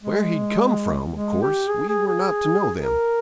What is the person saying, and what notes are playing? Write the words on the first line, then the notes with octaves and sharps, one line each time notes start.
Where he'd come from, of course, we were not to know then.
G#3
G#3
G4
G#4
G#4
G#4
A#4